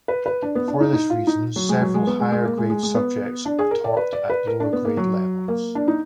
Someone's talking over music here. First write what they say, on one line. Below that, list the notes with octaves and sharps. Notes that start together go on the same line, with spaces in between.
For this reason several higher-grade subjects are taught at lower grade levels.
B4
B4
D4
B3
D4
D#4
D#4
F4
D#4
F#3
G#3
F#3
G#3
B3
G#3
G#3
A#3
G#3
G#3
G#3
B3
D4
G#4
A#4
D5
B4
D5
B4
A#4
D4
B3
A#3
F#3
A#3
D4
D#4